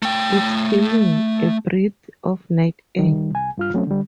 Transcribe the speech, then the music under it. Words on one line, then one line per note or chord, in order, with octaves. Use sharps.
It’s killing, a breath of night air!
A3 G5
D#3 G3
C2 G#5
G2 F4 F6
F#3 A3 C4 C#4
D3 G3